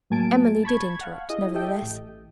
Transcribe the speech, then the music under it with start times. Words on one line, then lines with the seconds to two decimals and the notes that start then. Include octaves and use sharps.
Emily did interrupt, nevertheless.
0.10 A2 F#3 A#3 G#5 A5 D7
0.63 A5 B5 C#6 G#6
1.01 F5 F#5
1.30 E4 G#4 D#5
1.54 G4 A4 D#5 E5 G5
1.82 A1